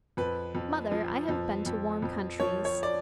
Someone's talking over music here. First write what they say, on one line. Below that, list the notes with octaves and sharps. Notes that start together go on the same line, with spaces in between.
"Mother, I have been to warm countries."
F2 B4
F2
F3
F2
F2
F2
F3 C#5
C#5
D5